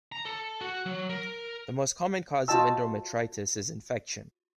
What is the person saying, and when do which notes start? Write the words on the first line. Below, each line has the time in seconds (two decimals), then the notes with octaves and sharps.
The most common cause of endometritis is infection.
0.12 A#5
0.25 A4
0.61 F#4
0.86 F#3
1.09 A#4
2.48 F4 F#4 D#5 G5 A5 E6